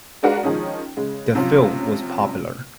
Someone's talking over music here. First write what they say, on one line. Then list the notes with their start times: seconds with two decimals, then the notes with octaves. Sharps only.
The film was popular.
0.23 G#3 D4 F#4 A#4 B4 F5
0.43 D#3 F3 G#3 C#4 D#4
0.97 C#3 G#3
1.35 C3 F3 F#3 C#4 F4